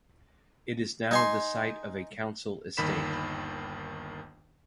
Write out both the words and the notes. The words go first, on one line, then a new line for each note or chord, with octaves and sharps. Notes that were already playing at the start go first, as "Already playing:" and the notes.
It is now the site of a council estate.
D#4 G#5 C6
G1 D#2 D#3 B5 B6 E7